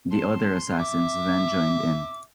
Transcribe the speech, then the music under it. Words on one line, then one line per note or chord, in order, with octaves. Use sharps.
The other assassins then joined in.
A5 C6
E5 D6